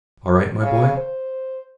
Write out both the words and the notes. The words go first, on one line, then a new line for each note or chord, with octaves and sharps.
All right, my boy!
C#3
C5